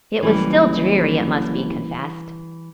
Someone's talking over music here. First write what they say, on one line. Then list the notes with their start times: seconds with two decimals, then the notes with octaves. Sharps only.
It was still dreary, it must be confessed.
0.23 F#1 E3 G3